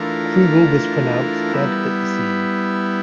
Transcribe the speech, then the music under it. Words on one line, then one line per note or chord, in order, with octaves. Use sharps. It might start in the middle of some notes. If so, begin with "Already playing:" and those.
Krugel was pronounced dead at the scene.
Already playing: E3 A3 D4 F4 A#4
G3 B3 E4